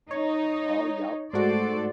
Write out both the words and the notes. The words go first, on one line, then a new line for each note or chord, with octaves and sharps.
Oh, yep.
D#4 C#5
G#2 A3 F#4 A4 C5 D5